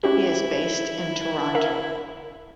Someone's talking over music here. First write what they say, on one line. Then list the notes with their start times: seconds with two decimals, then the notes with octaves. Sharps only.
He is based in Toronto.
0.04 C#4 E4 F#4 G4
1.55 A#4 E5 F5